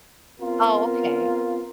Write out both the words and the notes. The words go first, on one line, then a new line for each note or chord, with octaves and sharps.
Oh, okay.
B3 C4 F4 A#4